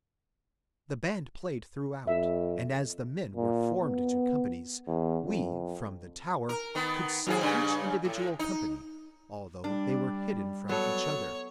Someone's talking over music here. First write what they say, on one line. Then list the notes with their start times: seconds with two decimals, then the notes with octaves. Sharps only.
The band played throughout and as the men were formed into companies we from the tower could see each individual company although they were hidden from each other.
2.07 F2 E5
3.36 A#2
3.83 B3
4.87 E2
5.26 F2
6.49 A#4
6.75 D#3 B3
7.27 D#2 G#2 G#4
7.41 G2 C#3
8.05 A2
8.39 D#4
9.64 G3 D4
10.69 F#3 B3 A4 C#5